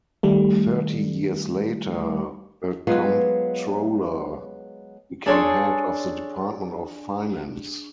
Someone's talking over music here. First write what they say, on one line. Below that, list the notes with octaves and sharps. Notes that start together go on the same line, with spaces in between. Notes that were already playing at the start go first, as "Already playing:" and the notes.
Thirty years later, the comptroller became head of the department of finance.
D#3 G3 A3
F#3 G#3 B3 F4 G#4 B4
D4 G#4 A4 C#5 D5 C6